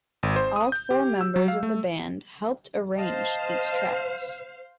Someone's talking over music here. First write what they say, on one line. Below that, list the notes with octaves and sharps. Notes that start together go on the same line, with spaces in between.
All four members of the band helped arrange these tracks.
G#1
C5
D#6
G6
G4
E6
F#3
F5
A3
C5 D#5 F5 A5